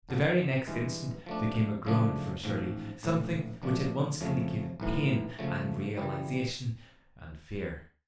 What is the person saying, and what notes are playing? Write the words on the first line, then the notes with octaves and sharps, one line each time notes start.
The very next instant there came a groan from Shirley, something which at once indicated pain and realization and fear.
G1 G2 D3 F3
G2 E3 G#3
F3 A3 D4
F#2 C#3 F3 A3 D4
A1 G#2 F3
A#1 A2 E3
A#1 A#2 F3 A3 D4
F2 C#3 F3 A3 C#4
B1 A2 E3
C#3 F3 A3
C#3 E3 G3